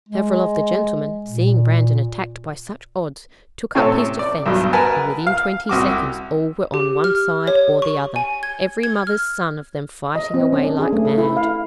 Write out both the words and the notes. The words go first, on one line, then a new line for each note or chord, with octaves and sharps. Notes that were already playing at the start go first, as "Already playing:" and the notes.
Several of the gentlemen, seeing Brandon attacked by such odds, took up his defense, and within twenty seconds all were on one side or the other, every mother's son of them fighting away like mad.
G#3
A#2
A2 C3 C#4 A4 C#5
D5
B1 G2 B2
A#4 B4 E5 F#5 G#5 A5
F5
C2 F#4 D6
G4
F6
C#5
C#6
G#5
G#6
G#6
F6
D#5
C4
C#4
D4
G#4
A3
A4
E4
F5